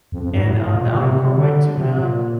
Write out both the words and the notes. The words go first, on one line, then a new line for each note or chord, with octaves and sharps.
and, um, the Albacore white tuna,
F2
F2
G2
A2
A2
A2
A#2
A#2
C3
C3
D3
C3
A#2